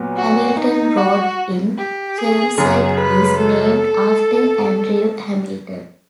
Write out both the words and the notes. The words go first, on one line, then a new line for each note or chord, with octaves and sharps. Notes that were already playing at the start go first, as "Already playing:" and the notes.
Hamilton Road in Chermside is named after Andrew Hamilton.
Already playing: A#2 F#3 B3
F#4
D#4
F#4
G4
G#4
F#2 C#3 F#3 G#4
B4
A4